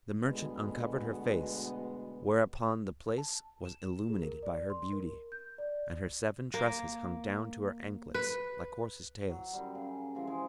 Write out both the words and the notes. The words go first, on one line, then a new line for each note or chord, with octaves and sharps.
The merchant uncovered her face, whereupon the place was illumined by her beauty and her seven tresses hung down to her anklets like horses' tails.
D2 B2 G#3 B3
A5
E7
G#4
A#4
D5
C6
A#4
G6
D5
A#3
B4
F#3
F#2 F#3 G3
C#3
C3 E3 F3 G#3
G#3